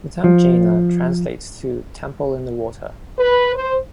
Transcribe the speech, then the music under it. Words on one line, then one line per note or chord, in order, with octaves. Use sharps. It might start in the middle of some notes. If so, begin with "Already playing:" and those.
The term "Jaina" translates to "Temple in the Water".
F3
B4
C5